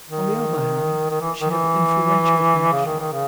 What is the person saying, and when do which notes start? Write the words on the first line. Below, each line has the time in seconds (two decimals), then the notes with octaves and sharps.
On the other hand, she had influential connections.
0.09 D#3
1.10 D#3
1.21 E3
1.41 D#3
1.50 E3
2.73 C#3
2.86 D#3
3.00 D#3
3.12 C#3